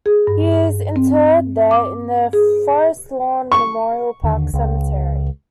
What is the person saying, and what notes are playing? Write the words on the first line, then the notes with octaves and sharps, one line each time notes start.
He is interred there in the Forest Lawn Memorial Park Cemetery.
G#4
G2
C4
D6
G#4
C#6
D#2 D3
C#2